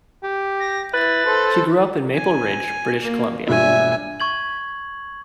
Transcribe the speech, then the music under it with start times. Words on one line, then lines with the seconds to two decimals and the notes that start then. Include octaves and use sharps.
She grew up in Maple Ridge, British Columbia.
0.23 G4
0.60 A#6
0.94 E4 B4 A6
1.26 A4 C5
2.15 G#5
3.02 A#3
3.47 E1 G2 A#2 E5 G#5
4.20 C#6 G#6 F#7